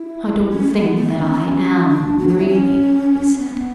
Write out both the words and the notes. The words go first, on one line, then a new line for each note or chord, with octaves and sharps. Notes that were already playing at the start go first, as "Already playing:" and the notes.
"I don't think that I am, really," he said.
Already playing: E4
C#4
A3
B3
A3
B3
D4
C#4
B3
C#4
D4
F#4
F#4
E4
C#4
B3
C#4
B3